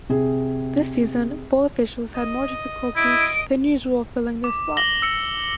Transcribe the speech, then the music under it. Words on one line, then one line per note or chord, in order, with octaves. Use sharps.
This season, bowl officials had more difficulty than usual filling their slots.
C3 G#4
D#5
E4 D#5 D7
D6
A#6 F#7 G7
E6 C#7